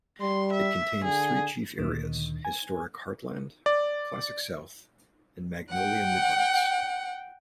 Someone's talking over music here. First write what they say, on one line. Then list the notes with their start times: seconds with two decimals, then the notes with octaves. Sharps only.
It contains three chief areas: Historic Heartland, Classic South, and Magnolia Midlands.
0.21 G3 C6
0.52 E5
1.04 D3 G#4
1.78 D2 A#2 D#3
2.45 G#5
3.66 D5
5.70 F#5 G5